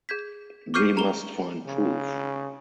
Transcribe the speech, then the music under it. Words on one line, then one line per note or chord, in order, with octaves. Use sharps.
We must find proof.
G#4 G6 G#6 B6
C#6 D6 F6 G6 C7 D#7
G#4 A#5 E7 F7 G7
C#3